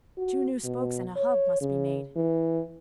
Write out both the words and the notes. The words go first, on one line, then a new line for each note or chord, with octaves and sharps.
Two new spokes and a hub must be made.
F#4
B2
C#5
C#3
E3